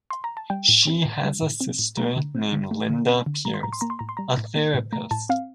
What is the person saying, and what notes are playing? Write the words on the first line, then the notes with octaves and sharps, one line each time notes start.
She has a sister named Linda Pires, a therapist.
C6
A#5
A5
G3 G5
A2
C4
A2
G3
A2
C4
A2
A3 A#5
D3
C4
D3
A3
D3
C4
D3
G3 A#5
C6
A2 A#5
C6
A#3 A#5
C6
A2 A#5
C6
G3 A#5
A2
A#3
A2
A3 A#5
A2 A5
C4 F5